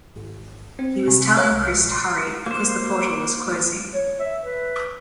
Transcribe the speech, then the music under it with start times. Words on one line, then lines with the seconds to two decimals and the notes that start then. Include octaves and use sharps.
He was telling Chris to hurry because the portal was closing.
0.16 G#1
0.79 C4
1.08 C3
1.37 C#5
1.51 C2
1.78 A#1
1.92 C6
2.46 A#3 C5
3.93 C#5
4.20 E5
4.42 B4